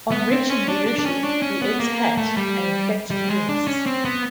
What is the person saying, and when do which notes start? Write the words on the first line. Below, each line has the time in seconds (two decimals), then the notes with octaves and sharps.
On reaching Ryushi, the eggs hatch and infect Rhynths.
0.11 B3
0.31 C4
0.50 C#4
0.68 D4
0.86 D4
0.99 D4
1.06 C#4
1.24 D4
1.42 C#4
1.62 B3
1.80 A#3
2.17 A3
2.37 G3
3.11 G3
3.30 G#3
3.49 D4
3.67 C#4
3.86 C4
4.05 B3